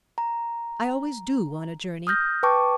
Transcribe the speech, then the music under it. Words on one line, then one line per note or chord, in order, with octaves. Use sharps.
I always do, on a journey.
A#5
D#6 F6 G6 A#6
B4 G5 A5 C#6 D6